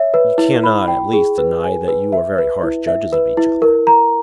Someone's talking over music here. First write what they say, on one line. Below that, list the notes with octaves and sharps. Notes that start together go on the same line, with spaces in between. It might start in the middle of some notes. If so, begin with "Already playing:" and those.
"You cannot, at least, deny that you are very harsh judges of each other."
Already playing: C#5 E5
B4
E4
B5
G5
G#4
B4
G#5
B4
E5
B4
E4
E5
B4
E4
A#4
A#5